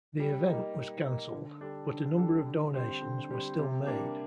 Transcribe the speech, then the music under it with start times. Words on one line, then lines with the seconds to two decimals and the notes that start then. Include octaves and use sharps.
The event was cancelled, but a number of donations were still made.
0.20 G3
0.48 A#3 D#4
0.76 G3
1.04 A#3 D#4
1.32 D3
1.61 G3 D4 A4
1.90 D3
2.17 G3 D4 A4
2.46 D3
2.74 G3 C4 G4
3.02 D3
3.30 G3 C4 G4
3.59 C3
3.87 G3 A#3 D4